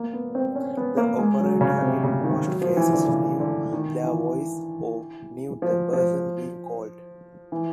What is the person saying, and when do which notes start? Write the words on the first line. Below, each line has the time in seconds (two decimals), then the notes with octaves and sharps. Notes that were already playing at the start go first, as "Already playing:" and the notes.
The operator in most cases knew their voice or knew the person being called.
Already playing: A#3
0.13 B3
0.35 C4
0.55 C#4
0.77 B3
0.97 A#3
1.18 G#3
1.40 F#3
1.61 C#3
1.82 C3
2.03 C#3
2.24 D#3
2.45 F#3
2.61 F3
2.77 E3
2.93 D3
3.08 C#3
3.40 D3
3.72 D#3
4.03 E3
5.62 F3
5.93 F3
7.52 E3